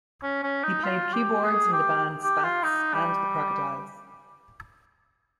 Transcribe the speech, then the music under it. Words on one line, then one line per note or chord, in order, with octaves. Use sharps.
He played keyboards in the bands Spats, and The Crocodiles.
C#4
C#4
D#4
F4
G4
G#4
G4
G4
F4
D#4
G3